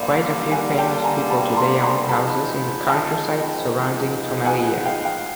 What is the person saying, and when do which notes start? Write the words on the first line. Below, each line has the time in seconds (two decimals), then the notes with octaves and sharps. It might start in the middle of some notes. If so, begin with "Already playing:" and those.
Quite a few famous people today own houses in the countryside surrounding Tomelilla.
Already playing: G2 D3 G3 A#3
0.51 F#5 G#5
0.78 G5 A5
1.04 G#5 A#5
1.30 A5 B5
1.57 A#5 C6
1.83 A#5 C6
2.09 F3 G#3 B3 D#4 A5 B5
2.88 G5 A5
4.46 F#5 G#5
4.66 F#5 G#5
4.85 F5 G5
5.05 F5 G5